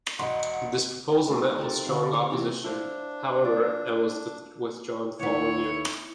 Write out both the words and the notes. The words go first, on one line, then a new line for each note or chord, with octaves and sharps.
This proposal met with strong opposition, however, and was withdrawn the following year.
E1 D5 D#5 F#5 B5 C6
D4 D#4
A3 F4
C4 G4 A4 A#4
D3 F5
G#4 C5 C#5
C3 E3 E4 A#5
D4 E4 C5 F5
F4 D5
D#2 B3 E4 C#5